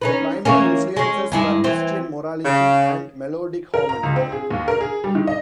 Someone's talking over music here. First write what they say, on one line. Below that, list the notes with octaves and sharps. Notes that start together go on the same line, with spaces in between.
The primary influences were Christian morality and melodic harmony.
C#4 D#4 B4
E3 A#3 C#4
G#3 C#4
G2 G#3 E4
E3 C4
C#3
A#4
A#5
C#2
C4
G#4
D#2
A#4
G#4
G3
D#3
D#5